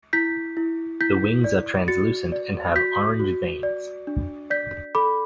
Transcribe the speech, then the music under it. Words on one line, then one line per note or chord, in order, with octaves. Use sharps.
The wings are translucent and have orange veins.
E4 G6 B6
E4
E4 G6 B6
D5
F#4 A6 C#7
D5
F#4 G6 B6
F#4
D5
D4
D5 G6 B6
A4 B5 D6